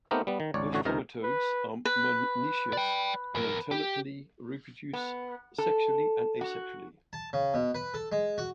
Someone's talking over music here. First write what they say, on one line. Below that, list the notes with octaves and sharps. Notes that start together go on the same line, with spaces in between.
Most trematodes are monoecious and alternately reproduce sexually and asexually.
A3 B3 C4 D#4 G4 A#4
G3 B3
D#3
G#1 C#2 C#5 D5
A1 D3 F#4 C#5
C#2 C3 D#4 A#4 A#5
B4
B4
D5 G5
E2 A#4
G4
B3
A4
F#4
A5
C#3
B2
B4
A4
G#3
F#4